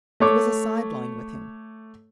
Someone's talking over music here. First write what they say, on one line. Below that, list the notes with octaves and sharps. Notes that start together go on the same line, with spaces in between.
It was a sideline with Him.
A3 C#5 D6